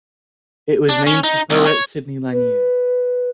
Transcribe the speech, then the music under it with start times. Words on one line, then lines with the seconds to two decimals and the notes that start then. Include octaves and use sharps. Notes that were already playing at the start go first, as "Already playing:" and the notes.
It was named for poet Sidney Lanier.
0.89 D4
1.07 C#4
1.24 D#4
1.50 C2
1.66 C#5
2.32 B4